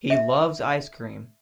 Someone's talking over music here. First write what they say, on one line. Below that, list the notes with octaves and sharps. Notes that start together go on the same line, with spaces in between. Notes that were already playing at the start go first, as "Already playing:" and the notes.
He loves ice cream.
E5